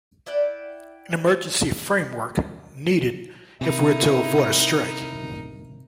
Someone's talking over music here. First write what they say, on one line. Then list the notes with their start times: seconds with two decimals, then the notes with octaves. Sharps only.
An emergency framework needed if we’re to avoid a strike.
0.26 E4 D5 F#5 G5
3.61 C3 D#4 E4 A#4